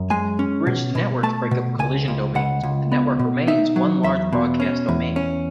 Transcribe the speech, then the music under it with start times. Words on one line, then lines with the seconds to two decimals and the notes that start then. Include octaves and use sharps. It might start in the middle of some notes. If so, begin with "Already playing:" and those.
Bridged networks break up collision domains, but the network remains one large broadcast domain.
Already playing: F#2
0.10 G#3 G#5
0.39 C#4
0.67 B2
0.95 B2
1.23 A3 A5
1.51 B2
1.79 C#2 G#5
2.08 C#2
2.35 C#2 F#5
2.63 C#2
2.92 B3
3.19 B2
3.47 D#4 E5
3.76 F#3
4.04 E2 E5
4.33 B2
4.60 C#4
4.89 E2
5.16 C#4